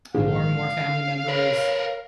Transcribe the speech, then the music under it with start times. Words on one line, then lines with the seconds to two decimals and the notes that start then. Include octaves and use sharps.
more and more family members,
0.15 A#1 G#2 F5
1.29 A#4 B4 C#5